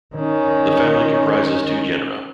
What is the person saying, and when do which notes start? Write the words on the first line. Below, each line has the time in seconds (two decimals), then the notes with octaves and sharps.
The family comprises two genera.
0.15 D#3 C#4